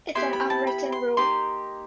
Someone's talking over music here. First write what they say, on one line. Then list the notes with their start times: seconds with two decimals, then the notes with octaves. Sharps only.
It's an unwritten rule.
0.15 B3 E4 G4 C6
0.33 B5
0.50 A5
0.67 B5
0.92 C6
1.17 A#3 D#4 G4 C6